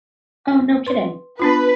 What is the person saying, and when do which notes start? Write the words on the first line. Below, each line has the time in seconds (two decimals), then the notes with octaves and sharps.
Oh, no kidding.
0.87 B4 C6
1.40 B3 D4 F4 B4